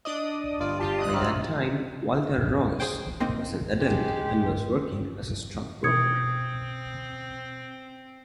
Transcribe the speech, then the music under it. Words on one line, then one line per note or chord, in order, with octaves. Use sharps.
By that time, Walter Ross was an adult and was working as a stockbroker.
D4 D5 D#5 D#6
G1 G2 F4 D5
F4 G4 A5
D#5 D#6 F#6
C3 F#3 C4 F4 F5
G#4 C5 G5
A#3 C4 D#4
G#3 G4
B2 C4 D#6 G#6 C#7